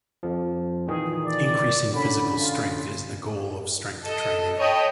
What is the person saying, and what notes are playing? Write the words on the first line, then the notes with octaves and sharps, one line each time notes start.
Increasing physical strength is the goal of strength training.
F2 F3
A#2 D#3 E3 G#4
D5
D3 C#4 B5
F4
A4 D#5
C#5 D#5 G5 A5 B5